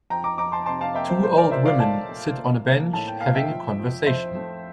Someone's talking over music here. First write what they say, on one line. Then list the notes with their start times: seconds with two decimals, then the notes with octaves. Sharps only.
Two old women sit on a bench having a conversation.
0.10 F2 G5 A#5
0.24 A#5 D6
0.38 F2 A#5 D6
0.52 A5 C6
0.66 C3 A5 C6
0.81 F5 A5
0.95 A#3 E5 G5
1.09 C5
1.23 A#2 C5
1.38 A#4 D5
1.51 A#2 C5 E5
1.65 D5 F5
1.80 A3 F5 A5
2.09 A3
2.37 A#3
2.65 A#3
2.93 A2 A5
3.07 G5
3.21 A#3 F5
3.35 E5 G5
3.50 F3
3.78 F2
4.06 F2 C5 E5
4.35 A3